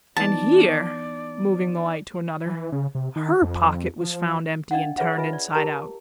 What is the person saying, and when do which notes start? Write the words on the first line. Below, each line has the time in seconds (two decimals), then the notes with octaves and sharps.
And here,' moving the light to another, 'HER pocket was found empty, and turned inside out.
0.17 E3 B3 D#4 D5 A5
2.46 E3
2.72 C#3
2.95 C3
3.16 D#3
3.42 F2
4.01 F3
4.71 D4 D#5 F5 F#5
4.97 G#4 B4 C#5 E5 F#5
5.18 F4 B4 D#5 E5 G#5
5.33 D5
5.53 G4 A#4 A5 A#5